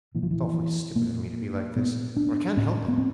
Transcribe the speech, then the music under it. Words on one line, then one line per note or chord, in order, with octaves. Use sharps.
It's awfully stupid of me to be like this, but I can't help it.
A#2 E3
F3
E3
A#2 A#3
A#2 B3
D4
A2 C#4
B3
C4